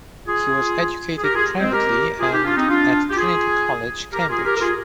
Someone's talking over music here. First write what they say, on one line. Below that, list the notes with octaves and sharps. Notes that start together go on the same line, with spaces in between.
He was educated privately and at Trinity College, Cambridge.
F4 G#4
G#4
G4 A#4
F4 G#4
G#3 C4
G4 A#4
F4 G#4
D#4 G4
D4 F4
C4 D#4
D4 F4
G4
F4 G#4
G4 A#4
F4 G#4
G4 A#4
A#4
F4 G#4